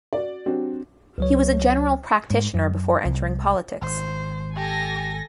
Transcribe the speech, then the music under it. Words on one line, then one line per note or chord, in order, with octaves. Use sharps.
He was a general practitioner before entering politics.
F#4 D5
F#3 C4 D4 F#4 G4
C#2 F#3 C#5
G#2
F#2
C2
G#1 C5
G4 A4 G#5 A#6